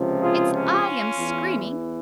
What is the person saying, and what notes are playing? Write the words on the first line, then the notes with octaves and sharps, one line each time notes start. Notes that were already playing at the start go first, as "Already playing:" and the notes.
It's I am screaming.
Already playing: C#2 C3 F3
F4 G#4
C#4 F4
E2 E3